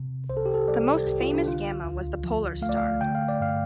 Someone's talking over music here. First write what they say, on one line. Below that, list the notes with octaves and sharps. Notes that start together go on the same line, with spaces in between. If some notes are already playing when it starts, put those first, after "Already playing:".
The most famous Gamma was the "Polar Star".
Already playing: C3
C2 C5
A4
G4
A4
G3 D5
C2 G4
F4
D4
D3 F4
D2
F3
A3 F5
D5
F5
D3 G5
F5
D5
G2 F5